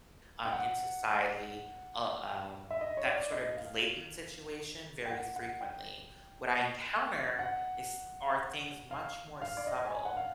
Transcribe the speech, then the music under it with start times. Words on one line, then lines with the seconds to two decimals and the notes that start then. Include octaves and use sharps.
um, in society, uh, um, that sort of blatant situation very frequently. What I encounter is are things much more subtle,
0.45 G5
0.53 F#5
2.71 E5
2.81 D#5
2.97 C#5
3.06 D5
3.32 D#5
3.57 F5
5.06 G5
5.11 F#5
5.36 F#5
5.61 G5
7.39 F#5
8.91 F5
9.42 F5
9.57 D5
9.67 D#5
9.87 G#5
10.05 F#5
10.17 F5